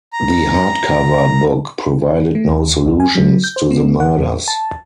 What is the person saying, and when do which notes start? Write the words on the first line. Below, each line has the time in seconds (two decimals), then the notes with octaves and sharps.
The hardcover book provided no solutions to the murders.
0.13 A#5
2.35 A3
2.48 D#2
2.86 C#2
3.00 G#5
3.15 F#3
3.44 G6
3.56 C5
3.71 B3
4.00 F#5
4.18 E2
4.48 A5